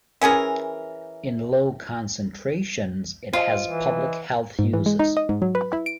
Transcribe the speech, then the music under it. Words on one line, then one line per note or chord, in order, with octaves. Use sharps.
In low concentrations, it has public health uses.
E3 C#4 G#4 A#4
F4 C5 D#5 D#7
E3
G#2
E3
G#3
D#4
D#5
G#2
F#3
B4
E4
D7